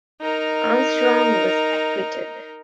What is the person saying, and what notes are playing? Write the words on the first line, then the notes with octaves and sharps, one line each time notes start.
Armstrong was acquitted.
D#4 A#4